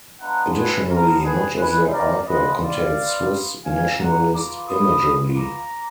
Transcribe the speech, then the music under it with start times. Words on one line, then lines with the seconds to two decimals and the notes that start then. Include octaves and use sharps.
Additionally, much of their artwork contains Swiss nationalist imagery.
0.21 G#3 B3 D4 F4 F#5 A#5
0.55 G#4 B4
0.89 G#3 B3 D4 A#4
1.24 G#4 B4
1.58 G#3 B3 D#4 G#4 B4
1.92 A#4 D5
2.27 G#3 B3 F4 B4 D#5
2.61 D5 F5
2.96 B3 F4
3.64 A#3 F4 F5 G#5
3.99 F#5 A#5
4.33 B3 F4 A#5 D6
4.67 B5 D#6
5.01 B3 F4
5.37 A#5 D6